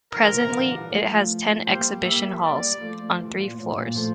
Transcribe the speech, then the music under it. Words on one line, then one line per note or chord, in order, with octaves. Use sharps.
Presently, it has ten exhibition halls, on three floors.
D3 F3 A#4
C3 E3
D3 F3
E3 G3
F3 A3
G3 A#3 C5
G3 A#3 E5
G3 A#3 D5
G3
F3 A3
F3
E3 G3
A#2
A2
A2
A#2
F3 A3